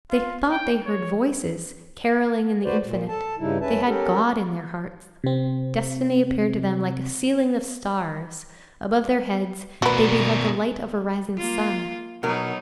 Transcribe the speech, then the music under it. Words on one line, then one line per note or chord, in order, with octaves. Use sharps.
They thought they heard voices carolling in the infinite; they had God in their hearts; destiny appeared to them like a ceiling of stars; above their heads they beheld the light of a rising sun.
F4
G5
C#5
F#4 B4 C5 D5
A#2
A4 A5
G2 C#3 G3 D#4 E4
F#2 C#4 B4 E5 A5
C#4 G4 A4 A#4
C3 C4
B2 F#4 A#4 B4
A#3 F4
B2 F#3 B3 D#4 A#4